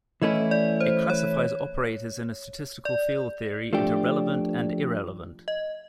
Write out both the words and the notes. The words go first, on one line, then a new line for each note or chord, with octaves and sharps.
It classifies operators in a statistical field theory into relevant and irrelevant.
E3 A3 C#4 E4 D#5
D5
C5
C#5
D5
F3 A3 D4 G4
D#5